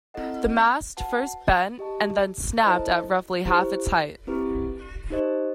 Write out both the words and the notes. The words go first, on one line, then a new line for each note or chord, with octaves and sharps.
The mast first bent and then snapped at roughly half its height.
C4 E4 A4 D#5 F#5
F#4 B4 F#5 A5
G4 D#5 A5
E4 A4 C5 D#5 A5
E4 G4 C5
C4 E4 G4 B4
D#4 G4 C5 D#5